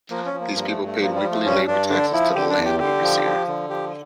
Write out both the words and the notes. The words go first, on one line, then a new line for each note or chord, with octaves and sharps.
These people paid weekly labor taxes to the land overseer.
F3 A#3
C#4
F3
A#3
G2 A#3
A3
G2
A3
F3 A#3
G3
F3
A3
G2 C#4
G2 D4
D3 D4
F3 E4
D3 G4
D4
E2
G4
D3 G4
F3
F3
D3
F3 G4